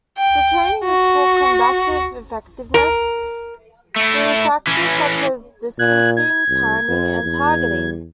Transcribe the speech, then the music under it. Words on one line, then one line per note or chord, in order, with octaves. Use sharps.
The training is for combative effectiveness, through factors such as distancing, timing and targeting.
G5
F#4
A#4
A3 E4
E3 C#4
A#2 F#6 G#6
G#6
C2
F2
E2